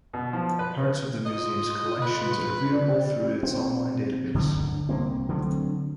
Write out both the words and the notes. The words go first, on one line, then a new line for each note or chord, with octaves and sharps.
Parts of the museum's collections are viewable through its online database.
B2
F3
B4
F4 D#5
B4
D5
C4
D1 G1 B2 D3
C2 A#3 C4
D3 F#3 A3 C4